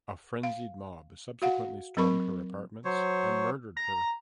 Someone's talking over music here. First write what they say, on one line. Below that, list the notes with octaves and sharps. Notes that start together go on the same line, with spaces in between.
A frenzied mob subsequently stormed her apartments and murdered her.
F5
F#4 F5 F#5
F#3 C4 A#4 B5 C#6
F#3 C5 C#5
A#5